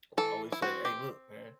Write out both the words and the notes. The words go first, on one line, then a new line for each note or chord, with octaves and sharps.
would always say, "Aye, look, man,"
E3 A4
E4
C4 F#4
G4